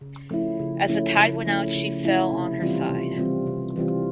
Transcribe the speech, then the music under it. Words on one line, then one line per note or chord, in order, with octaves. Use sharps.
As the tide went out she fell on her side.
C#3
F3 A3 C#4 E4
C#3
F3 A3 C#4 E4
C#3
F3 A3 C#4 E4
C#3
F3 A3 C#4 E4
C3
E3 G3 C4 F4
C3
E3 G3 C4 F4
C3
E3 G3 C4 F4